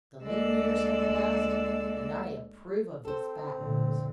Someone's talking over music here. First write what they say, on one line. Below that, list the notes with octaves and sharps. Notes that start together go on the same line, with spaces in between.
The lean years have passed, and I approve of these fat ones.'
D2 G#3 A#3 A4 D5 E6
C4 A4 C5
F1 A#2 D3